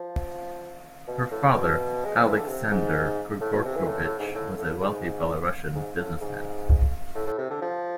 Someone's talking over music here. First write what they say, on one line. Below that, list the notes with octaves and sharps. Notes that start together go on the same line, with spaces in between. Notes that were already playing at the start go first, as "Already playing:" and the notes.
Her father, Aleksandr Grigorovich, was a wealthy Belarusian businessman.
Already playing: F3
B2
A2
B2
G#3
F3
E3
D3
C3
G#2
A2
B2
C3
E3
A2
A2
G#2
A2
A2
G#2
G#2
A2
G#2
A2
A2
C3
D3
F3